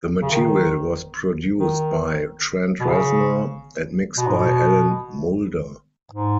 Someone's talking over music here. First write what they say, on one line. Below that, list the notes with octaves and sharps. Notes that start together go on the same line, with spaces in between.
The material was produced by Trent Reznor and mixed by Alan Moulder.
C#3
D#3
D#3
B2
C#3
B2
G#2
B2
G#2